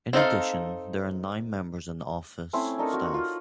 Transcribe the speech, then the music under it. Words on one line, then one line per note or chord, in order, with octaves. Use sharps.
In addition, there are nine members in the office staff.
C4 D#4 A4 F5
A3 C4 C#4 E4
D4 D#4 A4 A#4
F#4 C#5
F4